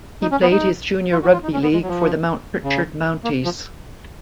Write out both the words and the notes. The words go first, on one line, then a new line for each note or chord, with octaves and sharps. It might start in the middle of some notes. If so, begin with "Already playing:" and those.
He played his junior rugby league for the Mount Pritchard Mounties.
D#4
C#4
B3
D#4
F4
F#4
F4
D#4
C#4
B3
G#3
F#3
F3
C#3
A#3
F3